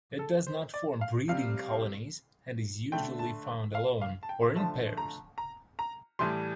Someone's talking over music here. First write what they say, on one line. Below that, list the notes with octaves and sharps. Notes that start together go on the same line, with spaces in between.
It does not form breeding colonies, and is usually found alone or in pairs.
A4
C5
D5
F5
C3 G3 F5
D3 A3 G5
A5
F5
F5
A5
G5
D3 F3 A3 A5
A#5
A#5
A#5
A2 E3 G3 C6